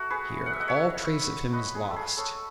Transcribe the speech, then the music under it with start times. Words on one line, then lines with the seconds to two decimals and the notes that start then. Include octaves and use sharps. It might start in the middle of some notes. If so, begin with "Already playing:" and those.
Here all trace of him is lost.
Already playing: A3 F#4
0.10 G#4 B4
0.46 F#5
0.53 E5
0.60 D#5 F#5
0.68 C#5 E5
1.53 B4 D#5
1.75 G#4
1.90 A4
1.96 G#4
2.17 A4 C#5